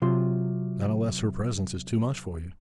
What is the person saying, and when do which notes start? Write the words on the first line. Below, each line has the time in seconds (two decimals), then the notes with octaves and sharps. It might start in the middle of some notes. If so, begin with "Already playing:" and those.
'Not unless her presence is too much for you?'
0.02 C3 F#3 F4 C6